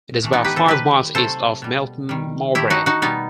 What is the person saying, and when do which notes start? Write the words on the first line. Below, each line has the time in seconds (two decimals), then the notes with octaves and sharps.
It is about five miles east of Melton Mowbray.
0.22 A2 E3 A3
0.33 B3 D#4
0.45 G4 B4
0.56 A4 C5
0.66 D#3 G3 G4 B4
1.15 C3 F#3 A3 A4 C5
1.62 B2 G3
2.09 D#3 G3
2.55 D#3 A3 E4 G4
2.70 D#4 F#4
2.86 D#4 F#4
3.02 B2 G3 B3 D#4